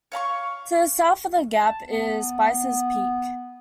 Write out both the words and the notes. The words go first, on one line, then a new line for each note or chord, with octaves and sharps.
To the south of the gap is Spicers Peak.
C#5 F5 A#5 C#6
A5
B3